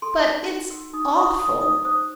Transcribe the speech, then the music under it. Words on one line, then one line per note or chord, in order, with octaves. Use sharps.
"But, it's awful."
A4 C6
D#4
D#4
F#4 E6
D#4 D#6
C5 D#6
F#4 D#6
D#4 D#6
C5 D#6